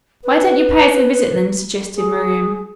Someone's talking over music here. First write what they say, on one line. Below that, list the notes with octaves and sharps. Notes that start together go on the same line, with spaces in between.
"Why don't you pay us a visit, then?" suggested Miriam.
B4
G#4